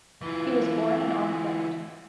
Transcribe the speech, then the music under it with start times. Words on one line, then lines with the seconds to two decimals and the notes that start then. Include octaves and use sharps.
He was born in Auckland.
0.22 E3 F4